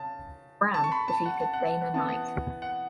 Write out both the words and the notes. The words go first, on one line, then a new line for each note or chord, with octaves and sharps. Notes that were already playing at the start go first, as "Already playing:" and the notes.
Brann defeated Dana Knight.
Already playing: C#3 A5
A5
C#6
B5
A5
F#5
A5
F#5
A5
F#5
E3 B3 A5
F#5
F#5